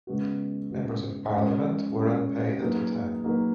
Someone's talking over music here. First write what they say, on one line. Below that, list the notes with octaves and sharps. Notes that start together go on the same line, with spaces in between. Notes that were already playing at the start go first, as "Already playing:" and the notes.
Members of parliament were unpaid at the time.
C#3 G#3 B3 F#4
C#3 G#3 B3 F#4
G#3 C#4 G#4 C#5
G#3 C#4 G#4 C#5
F#3 A#3 D#4 G#4 B4
F#3 A#3 D#4 G#4 B4